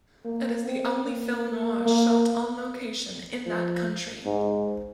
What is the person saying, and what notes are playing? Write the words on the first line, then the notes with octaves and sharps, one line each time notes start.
It is the only film noir shot on location in that country.
A#3
C4
A#3
A#3
F3
G#2